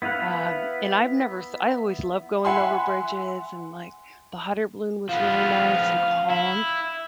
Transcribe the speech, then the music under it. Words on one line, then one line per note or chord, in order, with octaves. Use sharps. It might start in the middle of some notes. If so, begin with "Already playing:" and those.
Um, and I've never s I always loved going over bridges and, like, the hot air balloon was really nice and calm.
B3 E4 B4 F5 F#5
E5 F#5 G#5 B5 C6
F3 B3 F5
E4